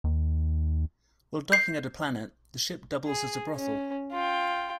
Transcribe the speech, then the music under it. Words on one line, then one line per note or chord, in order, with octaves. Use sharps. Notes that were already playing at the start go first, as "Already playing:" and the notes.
While docking at a planet, the ship doubles as a brothel.
D#2
G6 C7
G#4
C#4
F4 G5